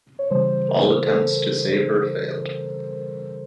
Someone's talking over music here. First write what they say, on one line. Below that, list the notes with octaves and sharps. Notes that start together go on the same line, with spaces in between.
All attempts to save her failed.
C#5
C#3 E3 G3 C5
A#4
A4